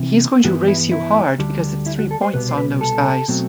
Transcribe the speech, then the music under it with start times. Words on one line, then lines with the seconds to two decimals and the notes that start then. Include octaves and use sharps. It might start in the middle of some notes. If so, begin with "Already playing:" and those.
He’s going to race you hard because it’s three points on those guys.
Already playing: C3 E3
0.44 G2 E3 B3 F#4
0.68 E4
0.92 E4
1.39 D2 D3 G3
1.86 E4
1.98 F#4
2.11 A4
2.22 C5
2.33 C2 B2 G3 B3 B4
2.49 C5
2.58 B4
2.81 A4
3.28 B2 F#3 A3 C4